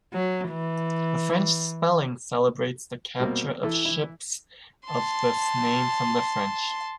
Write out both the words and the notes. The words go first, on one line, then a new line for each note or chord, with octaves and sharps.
The French spelling celebrates the capture of ships of this name from the French.
F#3
E3
B2 G3 A#3 C4
E3 E4 A4
E3 E4
A5 C6